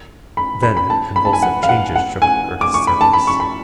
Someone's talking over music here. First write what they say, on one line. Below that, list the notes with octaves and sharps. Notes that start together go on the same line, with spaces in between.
Then convulsive changes shook the earth's surface.
B5
B5
B5
A5
B5
A5
G#5
F#5
F5
F#5
F#5
G#5
D6
C#6
B5
A5
B5
C#6
B5